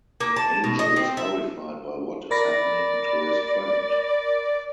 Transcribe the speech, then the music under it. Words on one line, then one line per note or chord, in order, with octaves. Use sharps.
Angel is horrified by what is happening to his friend.
A#3
A5
B2
D#5
C4
E5
A#4 D5 B5 A#6